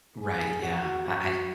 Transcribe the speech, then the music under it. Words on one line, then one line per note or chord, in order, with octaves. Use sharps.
Right, yeah, I I
G#4
F#4
F#4